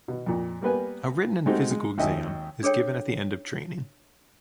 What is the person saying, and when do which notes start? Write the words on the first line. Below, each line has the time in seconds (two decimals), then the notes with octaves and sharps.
A written and physical exam is given at the end of training.
0.08 B2
0.26 F2 A#2
0.62 G3 A#3 B3 B4 G#5
1.46 G#3 A3 C4 D#4 F#4 G4
1.71 G#3
1.98 G#1 D#2 C#4 D#5 E5 G#5
2.63 D4 G#4 A4 C#5 G5